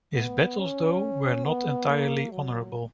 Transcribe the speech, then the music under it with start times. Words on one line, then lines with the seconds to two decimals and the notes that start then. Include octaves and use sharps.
His battles, though, were not entirely honourable.
0.14 B3
0.58 C#4
1.45 B3
1.88 A#3
2.32 F#3